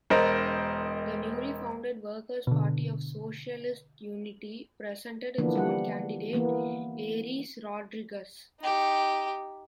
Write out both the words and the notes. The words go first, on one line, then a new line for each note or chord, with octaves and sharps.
The newly founded Workers Party of Socialist Unity presented its own candidate, Aires Rodrigues.
E1 A#4 C5 D#5
B2 D3
D3 E3 F3 A#3 B3 D4
G3 F#5
E3 A#3 B3
D#4 G4